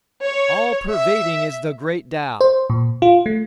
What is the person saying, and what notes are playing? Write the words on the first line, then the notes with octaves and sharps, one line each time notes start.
All-pervading is the Great Tao!
C#5
E5
C5
A#2
F4
A3